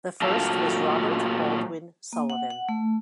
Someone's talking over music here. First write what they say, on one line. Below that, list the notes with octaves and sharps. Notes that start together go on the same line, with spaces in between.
The first was Robert Baldwin Sullivan.
A#2 F#3 A3 A#4 F5 A5
A#3
F#5
F#5
A3